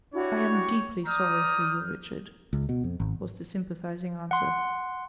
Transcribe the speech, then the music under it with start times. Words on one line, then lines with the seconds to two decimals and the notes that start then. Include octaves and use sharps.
"I am deeply sorry for you, Richard," was the sympathizing answer.
0.14 D4 E4 F#4 G4 C#5
1.06 D5 A#5 D#6 F6 G6
2.53 C#2
2.69 B2
2.84 F2
3.00 G#1
4.31 F#5 C6